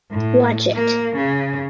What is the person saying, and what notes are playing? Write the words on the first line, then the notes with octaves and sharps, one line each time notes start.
Watch it.
A2
A#3
C#3